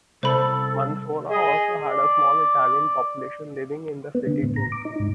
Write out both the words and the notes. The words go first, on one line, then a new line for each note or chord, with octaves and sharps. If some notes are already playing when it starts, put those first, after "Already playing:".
Mansoura also had a small Italian population living in the city too.
C2 A4 C5 B5
G#4 D#5
D5
B3
D3
A2
A#5
D6
D#4
G#2